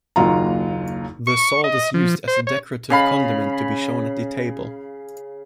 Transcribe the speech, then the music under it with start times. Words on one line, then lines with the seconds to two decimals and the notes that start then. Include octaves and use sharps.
The salt is used as a decorative condiment to be shown at the table.
0.16 F#1 D#2 F#3 F4 A#5
1.27 C#6
1.64 D#5
1.94 F3
2.28 C5
2.47 C#5
2.90 C#3 F5 B5